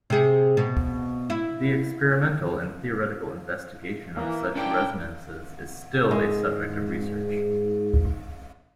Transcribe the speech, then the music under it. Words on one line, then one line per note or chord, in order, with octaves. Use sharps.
The experimental and theoretical investigation of such resonances is still a subject of research.
C3 G#4
B2
E4
E3 A#3
C#4 D4 E4 G4 G5
G#2 G#3